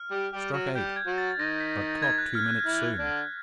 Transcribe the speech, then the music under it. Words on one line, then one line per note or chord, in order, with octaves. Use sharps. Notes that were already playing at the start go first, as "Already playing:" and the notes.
"Struck eight; but clock two minutes soon."
Already playing: F6
G3 G4
G3 G4
F#3 F#4
G3 G4 G6
G#6
F#3 F#4
A6
A6
D#3 D#4 A#6
B6
A#6
G#6
F#6
F6
F#6
E3 E4
D3 D4